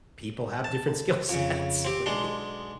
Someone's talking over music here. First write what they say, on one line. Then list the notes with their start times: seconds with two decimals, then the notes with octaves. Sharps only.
people have different skill sets, right?
0.64 A5
1.29 F2 C#3
1.85 C4 G4
2.06 B1 G#3 D4 C6